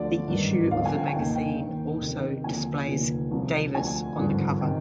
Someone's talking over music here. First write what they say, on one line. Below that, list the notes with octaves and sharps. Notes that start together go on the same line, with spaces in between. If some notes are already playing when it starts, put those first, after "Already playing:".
This issue of the magazine also displays Davis on the cover.
Already playing: D2 D3 F3 D5
G#1 G2 D#3
G1 G2 D3 F3 F5
G#5
G5
G#5
F1 D#2 D#3 G5
G5
D#2 D#3
F1 F2 C3 D#3
D#2 D3 F3 G#5
F1 D#2 D3 F3
C2 C3 F3
D2 D3 F3 G#5
G#1 G2 D3 F3
C3 D#3 G5